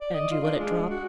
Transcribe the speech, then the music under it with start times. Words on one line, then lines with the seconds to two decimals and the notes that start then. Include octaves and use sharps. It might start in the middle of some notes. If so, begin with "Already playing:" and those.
"And you let it drop?"
0.01 D5
0.14 D#5
0.31 F4
0.44 D4
0.60 G#3
0.90 F#4